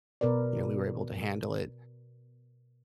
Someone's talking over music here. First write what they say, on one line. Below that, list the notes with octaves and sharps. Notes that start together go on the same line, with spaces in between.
You know, we were able to handle it,
B2 A#4 B4 D5